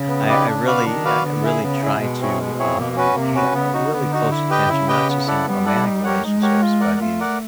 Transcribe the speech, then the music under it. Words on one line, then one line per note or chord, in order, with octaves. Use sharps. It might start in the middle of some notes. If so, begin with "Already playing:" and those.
I I really I really try to, um, pay, uh, really close attention, not just in romantic relationships, but in,
Already playing: C#3
B3
D#4 G4 B4 D5
D4
F#4 B4 D5 F5
D#3 D4
F#4 B4 D5 F5
D3 B3
E4 G#4
C#3 B3
E4 G#4
B2 G#3
C4 E4 G#4 C#5
G#3
C4 E4 G#4 C#5
B2 A#3
C#4 F#4 B4
C3 A#3
C#4 F#4 B4
C#3 B3
D#4 F#4
D3 B3
D#4 F#4
E4
G4 B4 D#5 G5
C#3 E4
G4 B4 D#5 G5
B3
E4 A4 D5 F#5
G3 B3
E4 A4 D5 F#5
D#4
G4 A#4 C#5 F#5
G#3 D#4
G4 A#4 C#5 F#5
F4
A#4 D5 F#5
A3 F4
A#4 D5 F#5